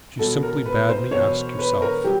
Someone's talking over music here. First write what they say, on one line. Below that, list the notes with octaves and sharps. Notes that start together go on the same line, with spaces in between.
She simply bade me ask yourself.
B2 F#3 A4
A#4
B4
C5
B2 C#5
F#3
B4
A#4
F#3 G4